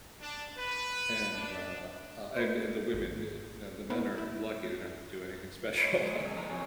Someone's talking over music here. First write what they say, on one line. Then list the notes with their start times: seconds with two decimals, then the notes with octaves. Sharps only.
And, uh, uh, I men the women did, now the men are lucky, they don't have to do anything special
0.21 D4
0.58 B4
1.34 D4
2.36 B4 C5
2.93 G#1
3.90 B3 E4 A#4 B4 C#5 F#5
4.18 E4
5.78 B4 C#5 D#5
6.01 F#3 G#3
6.22 C3 G#3 C#4 G#4
6.34 F3 E4 A4 D#5 F#5 A#5
6.49 G#2 F3 C4 F#4 C#5 G#5